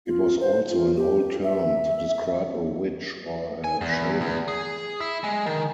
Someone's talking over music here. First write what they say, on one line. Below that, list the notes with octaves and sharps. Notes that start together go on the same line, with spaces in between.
It was also an old term to describe a witch or a shaman.
F4
C5
F4
G4
E5
G#5
E2
E2
G#4
E4
G#3
D#3